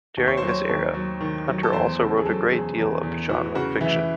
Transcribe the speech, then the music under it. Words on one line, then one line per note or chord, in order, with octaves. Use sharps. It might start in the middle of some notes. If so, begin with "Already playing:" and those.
During this era, Hunter also wrote a great deal of genre fiction.
D#2
C#5
F#3 C5
C#5
D#2
F#3
D#3
F#3
A4
E2 C5
C#3 A4
G#4
F#3 A4
E2 G#4
E2
E2
E3 F#4
C#3 F#4
E3 E4